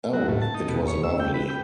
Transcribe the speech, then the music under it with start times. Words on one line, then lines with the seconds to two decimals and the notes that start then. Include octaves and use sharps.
Oh, it was lovely!
0.13 F#3
0.28 A2
0.42 A5
0.54 D#4
0.68 B2
0.88 C#5
1.04 E6
1.20 G5
1.34 B4
1.49 G5